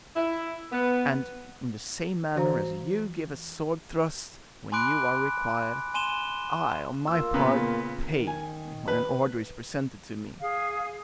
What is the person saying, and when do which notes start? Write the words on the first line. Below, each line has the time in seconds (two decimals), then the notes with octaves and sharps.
And, in the same manner as you give a sword-thrust, when you are required, I, on my part, pay when an order is presented to me.
0.16 E4
0.72 B3
2.36 E3 F#4 C5 F5 A#5
4.72 G#5 B5 C6 D6 F#6 D7
5.94 G#5 C6 D#7 E7 G7
7.08 A#3 F4 E6
7.34 A#2 C#3 B3
8.03 D#3
8.27 G#5
8.88 B4
10.40 G#4 F5